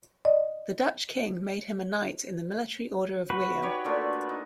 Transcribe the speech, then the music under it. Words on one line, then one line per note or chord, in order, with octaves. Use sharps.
The Dutch King made him a Knight in the Military Order of William.
D5 D#5
F#4 B4
D#4 G4 C#5
A#2 A3 D4
D#4